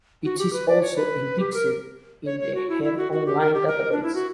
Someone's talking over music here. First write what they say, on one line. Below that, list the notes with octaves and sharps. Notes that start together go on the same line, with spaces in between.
It is also indexed in the HeinOnline database.
F#4
G4
B4
D5
C#5
B4
G4
A#4
C#5
C#5
F#4
E4
E4
F#4
F#4
G4
A#4
G4
A#4
D4
E4
F#4